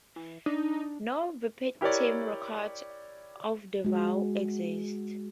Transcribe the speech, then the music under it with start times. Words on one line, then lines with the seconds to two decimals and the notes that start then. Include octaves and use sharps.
No verbatim record of the vow exists.
0.16 E3
0.46 D4 D#4
1.81 E4 G4 A#4 C#5 D5
3.84 G#3 F#4